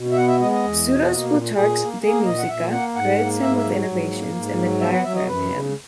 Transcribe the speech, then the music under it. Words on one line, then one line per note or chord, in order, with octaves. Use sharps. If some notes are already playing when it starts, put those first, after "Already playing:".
Pseudo-Plutarch's "De Musica" credits him with innovations in the dithyramb hymn.
Already playing: B2
E5
B3 F#5
E5
G#3 D#5
D#5
E2
B2
A#3
A#2
A#2 G#4
A#3
A#3 G#4
A#2 D#5
F#5
A#2 E5
A#3 F#5
G#2 F#5
A#3
G#2 E5
E5
F#3
G#2
A#3
G#2
F#3
B3 E5
F#5
F#3 E5
D#5
F#2 B4
C#3